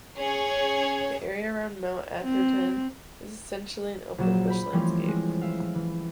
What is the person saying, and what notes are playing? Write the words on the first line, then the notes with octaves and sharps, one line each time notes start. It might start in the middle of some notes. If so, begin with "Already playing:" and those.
The area around Mount Atherton is essentially an open bush landscape.
C#4 G#4 C#5
C4
A#1 F#3 E7
B5 G6
E3 F3 G3 A3 C4 C#4
G#3
E5 F5
E3